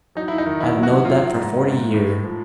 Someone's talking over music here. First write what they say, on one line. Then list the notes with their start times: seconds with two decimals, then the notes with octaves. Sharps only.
I've knowed that for forty year.
0.15 F#3 D#4
0.28 E4
0.38 D#4
0.46 D#3
0.60 E4
0.76 F#3
0.83 F#4
1.05 F#3 F4
1.36 G#2
1.65 G#2
1.94 A2
2.24 F3